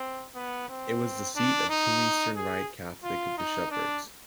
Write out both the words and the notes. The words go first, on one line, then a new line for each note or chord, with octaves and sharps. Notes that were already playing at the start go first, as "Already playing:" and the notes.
It was the seat of two Eastern Rite Catholic bishoprics.
Already playing: C4
B3
C4
D4
D#4
G#4
F4
D#4
D4